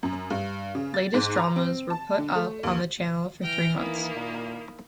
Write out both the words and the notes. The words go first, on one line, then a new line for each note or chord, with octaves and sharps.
Latest dramas were put up on the channel for three months.
F#2
G2
C#3
A6
G#2
A#5
C4
A5
D3
A3
D#2
E3 G5 F6 A#6
D#3 A#3 E4
A#2